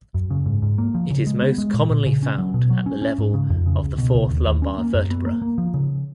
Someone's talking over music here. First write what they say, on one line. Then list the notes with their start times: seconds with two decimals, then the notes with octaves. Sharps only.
It is most commonly found at the level of the fourth lumbar vertebra.
0.14 F#2
0.30 C#3
0.46 G#2
0.62 G#2
0.78 A#3
0.95 F3
1.10 C#3
1.27 G#3
1.42 B3
1.58 G#3
1.74 A#2
1.90 A#2
2.06 C#3
2.23 C#4
2.38 F#3
2.54 B2
2.70 F#3
2.86 C#4
3.02 C#4
3.18 G#2
3.34 C#3
3.50 F2
3.66 C#3
3.82 C#2
3.98 B2
4.14 C#2
4.30 D#2
4.46 D#2
4.62 C#4
4.78 A#3
4.94 F#2
5.11 B3
5.26 A#3
5.42 A#3
5.58 F3
5.74 C#3